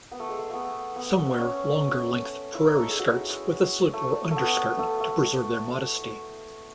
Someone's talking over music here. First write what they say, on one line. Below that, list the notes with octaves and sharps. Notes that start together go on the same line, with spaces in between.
Some wear longer-length prairie skirts with a slip or underskirt to preserve their modesty.
B3
A3
G#3
A3
A3 B3
B3
C#4
E4
D#4
A4
G#4
F#4
E4
A3
A3
B3
A3
A3